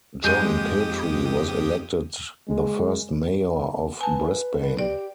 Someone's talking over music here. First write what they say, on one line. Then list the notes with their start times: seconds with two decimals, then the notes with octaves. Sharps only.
John Petrie was elected the first mayor of Brisbane.
0.24 F2 G#3 G4 D#6 G6 D#7
2.48 G#3
4.01 B4 G#5 A5
4.79 G4 D5